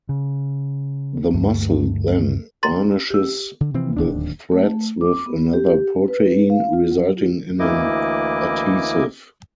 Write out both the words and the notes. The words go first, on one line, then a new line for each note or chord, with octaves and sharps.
The mussel then varnishes the threads with another protein, resulting in an adhesive.
C#3
D2 G2 A3
A#5 C6 A6
G4 E6
D3
C3 E3 F3 C4
D1 D#2 D4
A3
D6
B3
G4
B4
F5
F4
F#3
F4
D2 E3 A#3 E4 D#5 D6